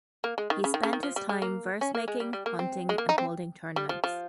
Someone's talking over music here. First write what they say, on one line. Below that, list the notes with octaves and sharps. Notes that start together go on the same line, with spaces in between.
He spent his time verse-making, hunting, and holding tournaments.
A#3
G#3
D#3
C#3
D#3
C#3
D#3
F3
G3
G#3
A#3
C#4
A#3
G#3
G3
G3
A#3
C4
G#3
A#3
D#4
C4
G3
F3
F3